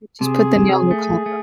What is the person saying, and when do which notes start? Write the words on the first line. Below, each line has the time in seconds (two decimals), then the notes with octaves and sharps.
W just put the nail in collar.
0.21 C3 G#4
0.56 C3
0.91 A3
1.26 A3